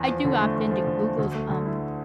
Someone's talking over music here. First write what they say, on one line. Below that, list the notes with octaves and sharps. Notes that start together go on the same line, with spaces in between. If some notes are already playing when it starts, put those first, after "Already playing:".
I do opt into Google's, um,
Already playing: E2
F3
D3
A3
E2
F3
D3
A3
D2
A3
D3
E4